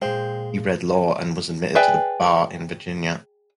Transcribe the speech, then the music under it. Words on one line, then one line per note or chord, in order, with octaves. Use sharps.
He read law and was admitted to the bar in Virginia.
A#2 G#3 C5 F5 G5
G#4 B4 D5 E5 G5